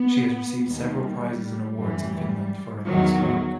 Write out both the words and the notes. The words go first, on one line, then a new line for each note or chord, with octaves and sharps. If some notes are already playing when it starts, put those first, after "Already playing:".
She has received several prizes and awards in Finland for her life's work.
Already playing: B3
D#2 D#3 G3
F#2 E3 G3
E2 D#3 F#3